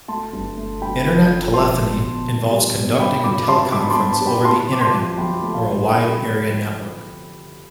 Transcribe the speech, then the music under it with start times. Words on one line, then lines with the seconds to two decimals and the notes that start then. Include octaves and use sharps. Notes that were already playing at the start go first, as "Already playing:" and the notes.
Internet telephony involves conducting a teleconference over the Internet or a Wide Area Network.
0.08 A3 A5 C6
0.33 G2
0.57 A3
0.81 G2 G5 B5
1.06 F3
1.30 F3
1.54 G3 A5 C6
1.79 B2
2.03 B2
2.26 B2
2.51 G3
2.75 B2
3.00 G2 G5 B5
3.24 G2 B5 D6
3.48 G3 A5 C6
3.72 G2 B5 D6
3.83 B5
3.90 A5 C6
3.96 G2
4.08 A5 C6
4.21 G3
4.27 G5 B5
4.45 C3 A5 C6
4.70 C3 D6
4.81 A5 C6
4.94 F3
5.18 F2 G5 B5
5.42 A3
5.53 F5 A5
5.66 A3
5.91 C3 G5 B5
6.14 G3